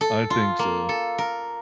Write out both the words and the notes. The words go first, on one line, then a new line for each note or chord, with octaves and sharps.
I think so.
A4
F4
A#3
A4
A#4